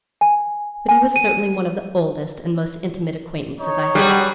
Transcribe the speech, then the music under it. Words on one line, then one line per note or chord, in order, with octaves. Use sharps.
But he was certainly one of the oldest and most intimate acquaintances I had.
G#5
G#5
D#7
D#4 C#5
F#3 G3 G#4 B4